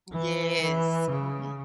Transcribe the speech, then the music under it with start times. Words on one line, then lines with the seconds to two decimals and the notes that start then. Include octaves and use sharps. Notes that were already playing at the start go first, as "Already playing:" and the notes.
Yes. Mhm.
0.12 E3
0.61 E3
1.10 C#3